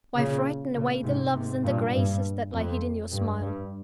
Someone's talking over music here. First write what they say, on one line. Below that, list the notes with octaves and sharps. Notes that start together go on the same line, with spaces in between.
Why frighten away the Loves and the Graces that lie hid in your smile.
A#2 C#3
A#2 C#3
G#2 C3
G#2 C3
G2 A#2
G2
F2
G2
G2